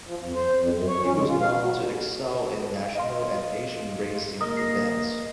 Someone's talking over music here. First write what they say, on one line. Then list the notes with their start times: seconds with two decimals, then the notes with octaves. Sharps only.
He was known to excel in national and Asian racing events.
0.06 F3
0.20 F2
0.35 C5
0.57 F2
0.72 F#2
0.88 C#5
1.03 C#4
1.15 G#3
1.28 F4
1.40 F5
1.57 F#3
2.95 D#5 F5 C6
4.41 A#3 A#4 D#5 D#6
4.57 A#6 C7